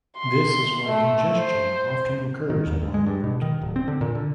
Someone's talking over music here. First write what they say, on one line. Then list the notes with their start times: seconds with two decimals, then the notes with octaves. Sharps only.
This is why congestion often occurs along the route.
0.19 C6
0.87 A3
1.38 C5
2.50 D#3
2.67 D#2
2.82 D2
2.94 G#3
3.07 G2
3.24 B2
3.42 D#3
3.61 D1
3.76 C4
3.88 D3
4.01 A#2
4.15 D3